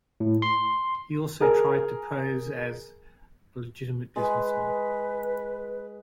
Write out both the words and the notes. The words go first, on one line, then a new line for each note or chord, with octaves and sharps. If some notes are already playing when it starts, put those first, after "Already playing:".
He also tried to pose as a legitimate businessman.
A2
C6
G#4 A#4 G#5
G#3 B4